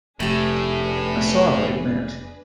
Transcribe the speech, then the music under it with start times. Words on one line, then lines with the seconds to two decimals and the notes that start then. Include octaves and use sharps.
I saw what he meant.
0.20 F1 A2 A3 D4 G4 G#4 B4